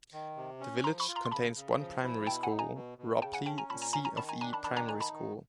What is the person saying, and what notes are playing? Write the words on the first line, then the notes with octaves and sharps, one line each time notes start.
The village contains one primary school, Ropley CofE Primary School.
D#3
C3
C#4
F3 A#5 C6
B5 C#6
F4
A#5 C6
C6
C#3 A5 B5
C#3
F3
E4
B2 G5 A5
F#5 G#5
D#4
G#5 A#5
B2
B2
C#3 G5 A5
F#5 G#5
C#4 G5 A5
G#5 A#5
A#2 A5 B5
G#5 A#5
C#4 G#5 A#5
G#5 A#5
D#3 A5 B5
G#5 A#5
D4 G#5 A#5
A5 B5
D#3 A5 B5
G#5 A#5
D#4 G#5 A#5
A5 B5
D#3